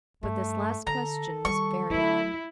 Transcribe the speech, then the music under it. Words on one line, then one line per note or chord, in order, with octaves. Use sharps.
But this last question was very odd.
G2 A3
D3 A4 A#5
D#3 G3 C#6
F#3 A3 E4